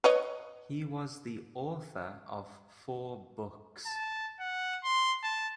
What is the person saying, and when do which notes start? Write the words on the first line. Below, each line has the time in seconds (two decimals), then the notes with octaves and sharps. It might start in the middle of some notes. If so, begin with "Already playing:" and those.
He was the author of four books.
0.04 B4 C#5 D#5
3.86 A5
4.40 F#5
4.84 C6
5.23 A5